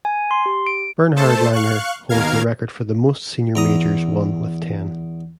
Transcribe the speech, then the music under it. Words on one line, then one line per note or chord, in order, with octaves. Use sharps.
Bernhard Langer holds the record for the most senior majors won with ten.
G#5
C6
G4
D7
A3 A4 C5 A5
F5 C#6 F#6
D#2 B2 A#4 F5 F6 G#6
E2 A#5 D#6